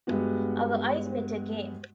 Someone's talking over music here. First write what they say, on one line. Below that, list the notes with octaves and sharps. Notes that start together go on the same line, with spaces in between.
Our eyes met again.
G2 G#3 B3 F#4